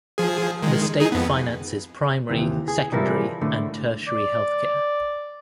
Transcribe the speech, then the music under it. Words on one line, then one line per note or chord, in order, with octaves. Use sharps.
The state finances primary, secondary and tertiary healthcare.
F3 G#4
D#3 G#3
D#4 G#4
F2 B3
D#2 C3 E3
G#4
C3 E3 F3 G3 E4 A#4
A2 D3 A3
D5